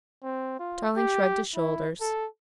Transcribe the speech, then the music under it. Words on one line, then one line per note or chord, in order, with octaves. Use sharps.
Tarling shrugged his shoulders.
C4
F4
G4
E4
A4